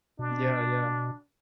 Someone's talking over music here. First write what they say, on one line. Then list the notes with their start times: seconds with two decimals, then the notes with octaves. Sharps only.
Yeah, yeah.
0.19 B2 D4